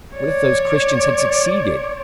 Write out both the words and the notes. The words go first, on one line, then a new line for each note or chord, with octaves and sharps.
What if those Christians had succeeded!...
C#5 D5